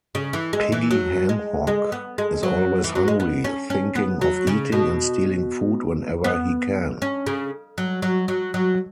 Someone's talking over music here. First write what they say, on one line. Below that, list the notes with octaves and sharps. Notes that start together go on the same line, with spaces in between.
Piggy Hamhock is always hungry, thinking of eating and stealing food whenever he can.
C#3
E3
G#3
E3
F#3
G#3
G#3
B3
G#3
F#3
E3
F#3
G#3
B3
C#4
C#4
B3
F#3
C#3
B2
B3
C#4
C#3
F#3
F#3
F#3
F#3